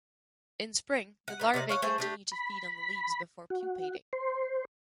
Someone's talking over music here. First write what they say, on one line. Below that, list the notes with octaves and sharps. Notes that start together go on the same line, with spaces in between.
In spring, the larvae continue to feed on the leaves before pupating.
F#5
B3 D#4
C3 D#4 D5 F5
C#5 F5 F#5
A3 G#4 C5 G5
A3 D4 G4
B5
F#4
C5